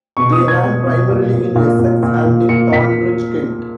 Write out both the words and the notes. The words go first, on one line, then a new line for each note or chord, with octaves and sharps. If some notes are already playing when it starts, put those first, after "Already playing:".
They ran primarily in Essex and in Tonbridge, Kent.
B2 C#6
D#6
B2
G#6
B2
B2
A#2
A#2
A#2
A#2
A#2
A#2
A#2 C#7
A#2 B6